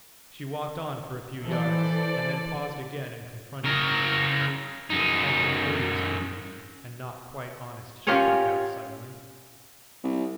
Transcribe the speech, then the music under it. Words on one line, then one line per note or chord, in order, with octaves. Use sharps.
She walked on for a few yards, and then paused again and confronted him. "I've been odious to you--and not quite honest," she broke out suddenly.
E3 A4 C5 D5
C#3 A#4
F#2 D#4
C#4 F4 G4 A#4 C#5 G#5
C2